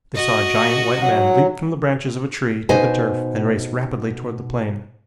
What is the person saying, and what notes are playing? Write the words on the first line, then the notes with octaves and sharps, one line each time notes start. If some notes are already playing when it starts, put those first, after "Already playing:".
They saw a giant white man leap from the branches of a tree to the turf and race rapidly toward the plane.
F#4 D#5
F#3 F#5
B2 D#4 C5 D#5 G#5